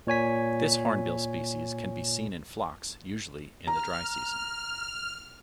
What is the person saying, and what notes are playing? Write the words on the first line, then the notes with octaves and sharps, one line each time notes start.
This hornbill species can be seen in flocks, usually in the dry season.
A#2 C#5 G#5 B6
A#5 F6